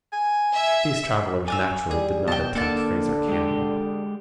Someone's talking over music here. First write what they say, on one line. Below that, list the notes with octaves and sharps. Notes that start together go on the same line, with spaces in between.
These travellers naturally did not attempt Fraser Canyon.
G#5
E5
D5 F5 G#5 E6
G3 G#4
B2 G5 A5
D3 A#3 A4 D5 A5
G#3 G4